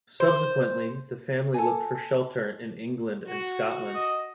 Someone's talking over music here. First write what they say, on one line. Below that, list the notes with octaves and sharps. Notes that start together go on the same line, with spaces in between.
Subsequently, the family looked for shelter in England and Scotland.
C5
A4 G#5
F#4
D#5